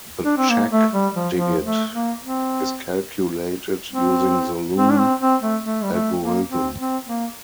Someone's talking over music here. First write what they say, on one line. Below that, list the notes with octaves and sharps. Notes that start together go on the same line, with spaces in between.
The check digit is calculated using the Luhn algorithm.
D4
C4
A#3
A3
G3
F3
F3
A3
A#3
C4
C4
C4
D4
C4
C4
A3
A3
G3
A3
A#3
C4
C4
A#3